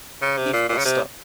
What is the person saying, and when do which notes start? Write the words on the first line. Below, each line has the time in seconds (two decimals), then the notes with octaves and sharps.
We've bust up.
0.22 C#3
0.38 C3
0.53 A#2
0.69 A#2
0.78 C#3
0.85 C3